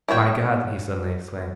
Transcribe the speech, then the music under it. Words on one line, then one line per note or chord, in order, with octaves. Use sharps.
'My God!' he suddenly exclaimed.
E4 F#4 C#5 G5